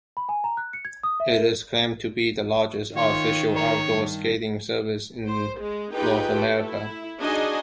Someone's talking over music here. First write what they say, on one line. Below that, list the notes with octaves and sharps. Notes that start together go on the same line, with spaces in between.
It is claimed to be the largest artificial outdoor skating surface in North America.
B5
G#5
A#5
F#6
C#7
G#6
D#6
E5
A#4
D#3 F4 C#5
A#4 C#5
G2
C5
G#3
D#4 F4 G4 G#4 B4 G5
A3 A4
E4
D4 D#4 F#4 G#4 D#5 G#5